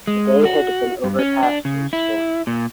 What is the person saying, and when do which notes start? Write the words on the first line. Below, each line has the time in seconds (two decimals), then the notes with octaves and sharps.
The day had been overcast and stormy.
0.07 G#3
0.45 F#4
1.04 G2
1.19 C#4
1.43 D4
1.65 C#3
1.93 E4
2.47 A#2